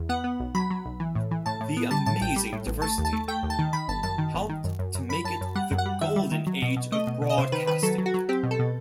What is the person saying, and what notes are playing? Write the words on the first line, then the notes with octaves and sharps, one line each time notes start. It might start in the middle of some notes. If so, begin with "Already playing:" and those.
The amazing diversity... helped to make it the golden age of broadcasting.
Already playing: E2
B3 F#5
B3
B1
F#3 B5
F#3
B1
E3
A2
E3
A2 A5
A2
B3
G3 A5
A2 A5
A1 G5
G3
A2
A1
A3 A5
D#2
A5
A3
A3 G5
D#2
A5
D#3
D#3 B5
G1 A5
F#2 A5
D#3
G1
D#3
F#2
F#2
F#2
F#2 B5
F#2 A5
F#2
G3 F#5
F#2
F#5
G3
D#3 E5
G3
D#3
F#3
B2
B2
A3 D#5
B2
B2
D#5
C3 C5
D#3 B4
D#3 B4
F#3 A4
F#3
F#4
F#3
C4 G4
B2
A4
B2